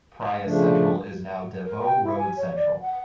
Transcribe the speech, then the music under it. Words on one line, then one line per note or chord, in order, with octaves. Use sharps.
Praya central is now Des Voeux Road Central.
C#3 F3 A3 D4
A#4
G5
E4
G#5
C#5
D5
F#5